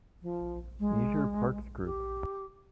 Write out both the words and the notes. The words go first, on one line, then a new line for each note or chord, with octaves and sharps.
Leisure Parks group.
F3
G#3
G4